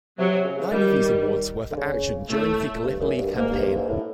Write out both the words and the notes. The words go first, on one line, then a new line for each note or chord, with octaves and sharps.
Nine of these awards were for action during the Gallipoli Campaign.
C3 F#3
C3
C#3
C#3
D#3 G3
D3
C#3
A2 A3
G2
F#2
G2
G#2 A#3
G2
G2
G#2
A2